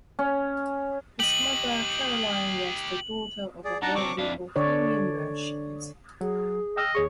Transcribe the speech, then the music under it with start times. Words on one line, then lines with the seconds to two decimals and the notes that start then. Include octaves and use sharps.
His mother, Caroline, was the daughter of a wealthy Bohemian merchant.
0.19 C#4
1.20 G4 D#5 F#7
3.65 G#4 D5
3.82 D4 D#4 F#5 A5 A#5
3.95 F#3 C4 D4 C#6 D6
4.18 F2 D4 E4 F5
4.56 D3 D4 C#5 D5
6.21 F#3 G#4
6.77 D#5 G5 E6 F6
6.95 D#2 G#4 C#5 C#6